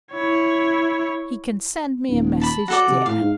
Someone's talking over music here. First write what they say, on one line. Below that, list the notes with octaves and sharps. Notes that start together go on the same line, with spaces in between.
He can send me a message there.
E4 C#5
D#1
A5 B5
F#3 F#4 A4 D5
C3
A2 F5
G#2